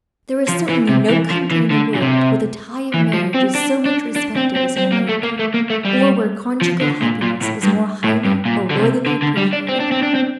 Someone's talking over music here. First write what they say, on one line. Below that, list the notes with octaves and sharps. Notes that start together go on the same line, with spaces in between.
There is certainly no country in the world where the tie of marriage is so much respected as in America, or where conjugal happiness is more highly or worthily appreciated.
F3
E3
C3
E3
F3
E3
D3
A#2
C3
E3
F3
C4
D4
D4
D4
C4
C4
C4
A#3
A3
A#3
A3
A#3
A3
G3
F3
D3
A#2
A#2
A2
G2
A2
G2
A#2
D3
C3
D3
D3
G3
D4
C4
D4
C4
D4
C4